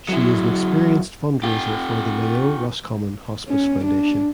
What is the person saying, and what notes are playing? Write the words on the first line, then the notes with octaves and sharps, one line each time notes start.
She is an experienced fundraiser for the Mayo Roscommon Hospice Foundation.
F#3 E4
F4 G4
C#4
D4